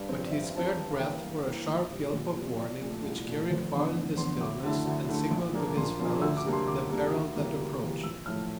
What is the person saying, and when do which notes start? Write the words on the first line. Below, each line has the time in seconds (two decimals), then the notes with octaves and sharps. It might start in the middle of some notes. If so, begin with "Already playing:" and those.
But he spared breath for a sharp yelp of warning, which carried far in the stillness and signaled to his fellows the peril that approached.
Already playing: G2 D5
0.09 F3 C4
0.26 D5
0.31 G2 E5
0.43 F5
0.55 F3 C4 A5
0.66 A#5
0.77 G2 A5
0.91 F5
0.99 E3 A#3 E4 G5
1.23 G2 F5
1.45 E3 A#3 E4
1.67 A#1
1.90 A#2 G3
2.13 A#1
2.36 A#2 G3
2.58 C2 D5
2.81 A#2 A3
3.04 C2
3.27 A#2 A3
3.50 F1 C5
3.73 E2 D3
3.95 F1
4.17 E2 D3 C6
4.40 D2 D6
4.63 D3 A3 E4
4.86 D2
5.09 D3 A3 E4
5.31 A#1
5.53 A#2 F3 A#3 D4
5.77 A#1 C6
5.99 A#2 F3 A#3 D4 C6
6.21 D2 E6
6.37 D6
6.45 C3 G3 A#3 D4
6.53 C6
6.67 D2 D6
6.90 C3 G3 A#3 D4
7.13 D2
7.35 C3 E3 G3 A#3
7.58 D2
7.81 C3 E3 G3 A#3
8.03 A#1 E6
8.26 A2 F3 A3 F6